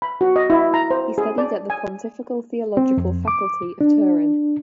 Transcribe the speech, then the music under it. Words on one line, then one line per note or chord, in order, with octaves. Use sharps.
He studied at the Pontifical Theological Faculty of Turin.
B5
F#4
D#5
E4
A#5
C5
G#4
D5
G#5
C4
F2
D6
D4